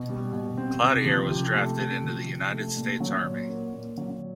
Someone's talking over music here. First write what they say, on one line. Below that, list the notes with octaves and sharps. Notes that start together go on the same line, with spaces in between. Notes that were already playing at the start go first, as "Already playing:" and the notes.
Cloutier was drafted into the United States Army.
Already playing: B2
G3
B2
C4
C3
F3
C3
A3
C3
F3
C3
A3
A#2
F#3
A#2
A#3
A#2
F#3